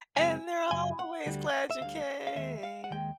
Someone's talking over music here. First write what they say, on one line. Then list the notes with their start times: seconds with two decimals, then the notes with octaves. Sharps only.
"And they're always glad you came."
0.17 F#2 C#3 G#3 C4 G#5
0.71 F#2 C#3 G#5
0.99 F#5
1.26 D2 D3 G3
1.71 E5
1.81 D2 D3 G3 F5
2.27 F5
2.35 D#2 D#3 G#3 E5
2.63 F5
2.84 F#5
2.91 D#2 D#3 G#3 G5